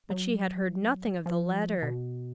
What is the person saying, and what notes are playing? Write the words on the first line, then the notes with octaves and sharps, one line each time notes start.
But she had heard nothing of the letter.
F#3
F3
B2